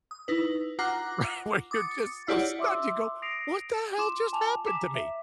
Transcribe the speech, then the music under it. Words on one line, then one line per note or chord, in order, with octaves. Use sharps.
Right, where you're just so stunned, you go, "What the hell just happened to me?"
D#6
D#4 E4 B4
F4 F#5 A#5 D6 F#6 A#6
D6 D#6 A6 C#7
E4 F4 G4 C#5 D5 F#5
E5 C6 D6 E6
D#6 A#6 C7 D7 F7
F4 C6 D6 E7
G#5 A5 D6 F7
A#5 D6 B6 E7
E5